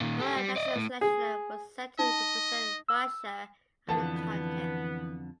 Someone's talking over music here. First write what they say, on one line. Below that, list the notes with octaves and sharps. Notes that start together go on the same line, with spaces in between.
They won the national selection and were set to represent Russia at the contest.
A#2 D#3
G4 A4
G3
D5 D#5
A2
G#4
D#4 D#5
E6
F2 D3 E3 B3 A5